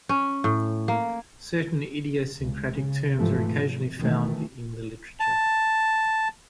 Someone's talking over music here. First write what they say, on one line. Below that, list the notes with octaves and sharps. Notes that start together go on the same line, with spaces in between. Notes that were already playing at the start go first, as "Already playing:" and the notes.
Certain idiosyncratic terms are occasionally found in the literature.
C#4
A2
A#3
C#2
C#3
G#2 C3 E3 F3 A3
C3
B2 D#3 E3 A3
A5